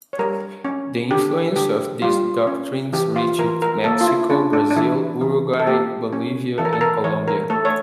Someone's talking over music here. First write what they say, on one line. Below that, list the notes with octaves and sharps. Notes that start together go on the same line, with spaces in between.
The influence of these doctrines reached Mexico, Brazil, Uruguay, Bolivia and Colombia.
C#5
G3 A#4
C#4
D3 G4
D3 G4
G3 F4
C#4
E3 G4
F4
E3 A#4
A#4
A#3 A4
F4
E4
C#4 D4
D4
D4
E3 E4
E3
A4
A#3 G4
C#4
E3 A4
A#4
A4
A#4
E3 C#5
A#4
A3 A4
C#5